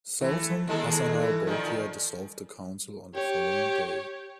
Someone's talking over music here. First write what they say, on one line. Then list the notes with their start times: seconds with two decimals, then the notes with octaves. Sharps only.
Sultan Hassanal Bolkiah dissolved the Council on the following day.
0.21 E3 A3
0.67 D#2 G#3 A4
1.20 E3
1.47 A#2 D#3 F3
3.15 G4 C#5